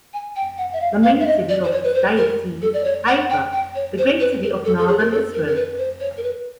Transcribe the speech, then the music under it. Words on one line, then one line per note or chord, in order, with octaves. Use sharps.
The main city of his diocese is Haifa, the great city of northern Israel.
G#5
G5
F#5
E5
F5
F5
E5
D#5
D5
C5
C#5
B4
C5
A#4
A4
D5
C#5
F#5
G5
G5
C#5
C5
B4
A#4
A4
A4
G#4
A#4
A4
A#4
A#4
B4
C5
C#5
A#4
B4